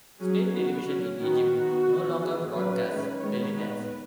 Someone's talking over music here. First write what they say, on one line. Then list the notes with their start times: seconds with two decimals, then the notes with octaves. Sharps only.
State television in Egypt no longer broadcasts belly dancing.
0.20 F#3 C#4 G#4
0.53 D#3 B3 F#4
0.87 F#3 C#4
1.20 D#3 B3 F#4
1.54 D#3 B3
1.87 D#3 B3
2.20 D#3 B3 G#4
2.54 F#3 C#4 B4
2.87 D#3 G#3 C#4
3.21 D#3 G#3 B3 C#5
3.54 D#3 B3 B4